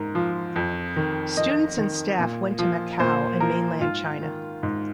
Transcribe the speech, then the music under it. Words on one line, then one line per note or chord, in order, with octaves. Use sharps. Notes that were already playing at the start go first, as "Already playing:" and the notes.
Students and staff went to Macau and mainland China.
Already playing: G#2 A#4
F3
F2
D#3
F2 D#5
D#3
A#2
F3
A#2 C5
F3 A#4
G#2 F4
D#3
G#2